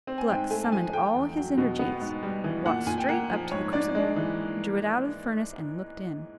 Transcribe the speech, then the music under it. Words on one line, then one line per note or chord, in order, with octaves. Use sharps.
Gluck summoned all his energies, walked straight up to the crucible, drew it out of the furnace, and looked in.
C4
G#5
G#2 G5
A3 G#5
A5
F3 G#5
A3 G5
E2
F#3
B2
B3
G#2
G3
E3
A#2 F#5
A#2 G#5
G5
A#3 F#5
F3
G#2 C#5
G#2 D5
G#3
E3